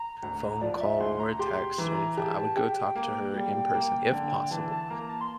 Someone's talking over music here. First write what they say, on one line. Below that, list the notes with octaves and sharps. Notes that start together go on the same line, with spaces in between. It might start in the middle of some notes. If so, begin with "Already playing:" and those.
phone call or a text or anything, I would go talk to her in person, if possible,
Already playing: A#5
D2
F3 D5
D5
E5
D2 C6
A#5
G4 C6
E3 A#5
G4 A5
G4 G5
A#3
G3
A#3
D3
E3 A5
A5
A#3 A#5
A5
C6